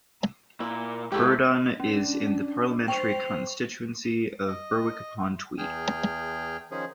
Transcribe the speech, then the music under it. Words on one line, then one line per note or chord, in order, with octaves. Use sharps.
Burradon is in the parliamentary constituency of Berwick-upon-Tweed.
A#2 E4
G#2 A3 E4 G4
C#4 D4
C5 G5 C#6 F7
D#5
E2 G#4 G5 F6
D#3 F3 C#4 G#4